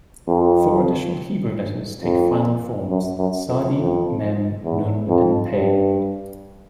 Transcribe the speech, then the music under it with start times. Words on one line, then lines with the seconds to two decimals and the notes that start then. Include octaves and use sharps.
Four additional Hebrew letters take final forms: tsadi, mem, nun, and pei.
0.27 F2
2.01 F2
2.89 F#2
3.18 F#2
3.48 F2
3.77 F2
4.64 E2
5.09 F2
5.52 G2